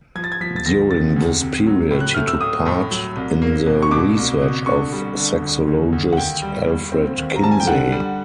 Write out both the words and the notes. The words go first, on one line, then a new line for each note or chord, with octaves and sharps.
During this period he took part in the research of sexologist Alfred Kinsey.
F3 G#6
A6
G#6
F3 B6
A6
D2 A#6
C3 A6
D2
C3
F#3
A2
F#6
A3 F6
E6
A2 D#6
A2
F#3
C2
A#3
B2
C#6
B2 D6
C2
B2
D3 C#6
G3
D3
D2
D2
D2
F#5
D#2 G5
G3
G3
C4
D#2
A#5
G3 A5
G#5
G5
D3 F#5
G3